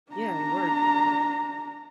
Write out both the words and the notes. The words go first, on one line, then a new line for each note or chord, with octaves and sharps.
yeah, it worked,
D4 A#5